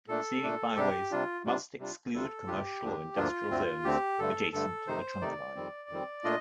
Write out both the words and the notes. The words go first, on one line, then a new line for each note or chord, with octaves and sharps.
Scenic byways must exclude commercial or industrial zones adjacent to the trunkline.
A#2 A3 D4 A4
A#2 A3 D4
C3 G3 D4 G4
C3 G3 D4 F4
C3 G3 D4 F4
C3 G3 D4 F4
D2 C3 G3 D4 F4 A4
D2 C3 G3 D4 F4 G4
D2 D3 F3 A#3 D4
D2 D3 F3 A#3 D4 F4
D2 D3 A3 C4
D2 D3 A3 C4 G4
G2 D3 A3 A4
G2 D3 A3 A4
C3 D#3 A3 D#4 C5
C3 D#3 A3 D#4 D5
F2 D#3 G3 C4
F2 D#3 G3 C4
A#2 A3 D4 F4 D#5